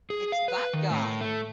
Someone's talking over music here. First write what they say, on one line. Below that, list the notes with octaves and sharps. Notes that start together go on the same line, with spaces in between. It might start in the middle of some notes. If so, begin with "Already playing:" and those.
It's That Guy!
G#4
F5
B4
D#3
A2
A3